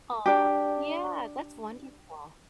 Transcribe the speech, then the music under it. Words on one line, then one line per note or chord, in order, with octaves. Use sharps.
Aw, yeah, that's wonderful.
D4 G4